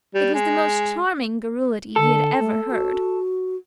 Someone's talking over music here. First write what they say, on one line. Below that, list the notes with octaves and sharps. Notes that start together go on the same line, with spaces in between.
It was the most charming garrulity he had ever heard.
G3
G#3
D3 A4
A3
F#4